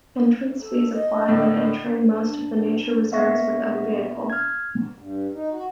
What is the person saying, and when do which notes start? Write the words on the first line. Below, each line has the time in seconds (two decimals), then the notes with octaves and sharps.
Entrance fees apply when entering most of the nature reserves with own vehicle.
0.61 A4
0.93 D#5
1.29 A2 D3
2.24 D4
3.12 A#3 B3 E5 F5 C#6 A#6
4.30 F6 G#6
4.98 G2
5.34 D#4
5.52 F#4